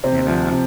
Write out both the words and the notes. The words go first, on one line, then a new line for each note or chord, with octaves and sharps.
you know.
C3 C4
F3
C3